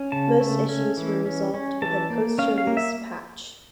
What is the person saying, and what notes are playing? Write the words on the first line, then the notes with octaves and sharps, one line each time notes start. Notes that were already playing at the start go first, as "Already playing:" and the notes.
Most issues were resolved with a post-release patch.
Already playing: C#4
C#3 A5
A3
C#4
E3
C#4
C#4
E3 A5
A#3
C#4 F5
F5
A#3
E5